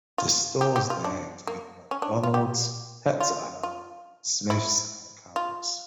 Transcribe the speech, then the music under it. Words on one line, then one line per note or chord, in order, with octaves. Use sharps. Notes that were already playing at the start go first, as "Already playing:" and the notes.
The stores there include McDonald's, Pets at Home, Smyths and Currys.
F4
G4
G4
F4
D4
A#3
C#4
D4
F4
G4
F4
F4
E4
F4